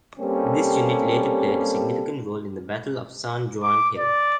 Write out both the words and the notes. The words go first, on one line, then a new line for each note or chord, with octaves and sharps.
This unit later played a significant role in the Battle of San Juan Hill.
G3 A#3 C4 C#4 G4 A4
D6
D5